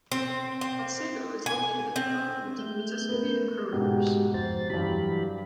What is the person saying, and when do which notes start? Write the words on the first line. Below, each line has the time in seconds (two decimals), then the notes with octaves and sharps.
Otsego is located at the confluence of the Mississippi and Crow Rivers.
0.11 C4
0.61 C4
1.46 G#5
1.96 C4
2.59 A3 G6
3.09 B3 A#4
3.73 G#2 B2 G#3 F#4 G4
4.34 F2 C5 A6
4.70 G2 E3 F#3 G4 B5